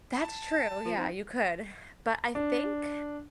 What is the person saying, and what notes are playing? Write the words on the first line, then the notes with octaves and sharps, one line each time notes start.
That's true, yeah, you could, but I think
A5
F3
C4 D#4
D4